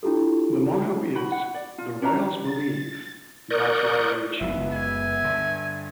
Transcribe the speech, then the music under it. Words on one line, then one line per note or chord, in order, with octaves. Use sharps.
The motto is "The Royals Believe That's Why We Achieve".
D4 E4 F4 G4 A4
F#4 B5
F#5
D5
F4
C#4 D4 E5 A#5
A6
A#4 D5 C#6 D#6 F#6 G6
F#1 C#2 B3 E5
G#5
G2 D3